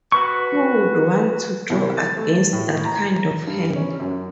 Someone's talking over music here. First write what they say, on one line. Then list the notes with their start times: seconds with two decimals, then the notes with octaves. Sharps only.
Who would want to draw against that kind of hand?
0.12 F#4 B4 C#6
1.70 C2
1.97 A6
2.17 A3
2.53 A2
2.85 A#5
3.47 G2
3.76 C#4
4.00 F#2